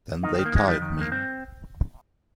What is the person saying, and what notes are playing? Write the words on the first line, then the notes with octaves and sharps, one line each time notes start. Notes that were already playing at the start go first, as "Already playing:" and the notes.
Then they tied me.
D#3 D#4
C4
D#3
A#3
D#3 G#3
F2 G3
D#3
F2 A#3
G2 C4